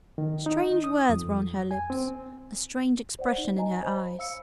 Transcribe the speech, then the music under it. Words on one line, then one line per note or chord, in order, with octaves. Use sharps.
Strange words were on her lips, a strange expression in her eyes.
D#3
D#4
D#6
F2
G#5
C4
C5 D5 F#5
D#4 D5
D#5 G#5 A#5
C5 C#5 B5
F5 E6 C#7